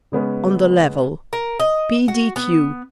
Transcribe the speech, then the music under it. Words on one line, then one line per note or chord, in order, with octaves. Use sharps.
On the level. P.d.q.
C#3 G#3 B3 C#4
A#4
D#5
F#4
B3